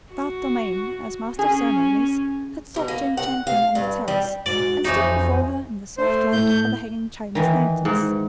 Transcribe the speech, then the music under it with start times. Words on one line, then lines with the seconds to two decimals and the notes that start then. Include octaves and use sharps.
Garth Dalmain, as master of ceremonies, had sought Jane Champion on the terrace, and stood before her in the soft light of the hanging Chinese lanterns.
0.12 F#4
1.39 C#4 G#4
2.76 B2
2.88 A#3
3.17 F#5
3.47 F5
3.75 G2
4.08 G3
4.46 G#2 F#4 D5
4.85 F2 E3 D#4 F#4 C5 C#5 G#5
5.98 A3 C5
6.32 A2 G6
7.35 D#3 E3
7.85 G#2